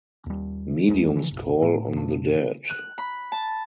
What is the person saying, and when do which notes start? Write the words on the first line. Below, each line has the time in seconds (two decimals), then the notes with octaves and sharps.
Mediums call on the dead.
0.26 D#2 G3
0.88 D1 E2 E3 G#3
1.16 D3 E3 F3
1.31 F#1 B1
1.62 A2
1.96 F2 B2 A#3 D4
2.70 F#6
2.98 B5
3.32 A5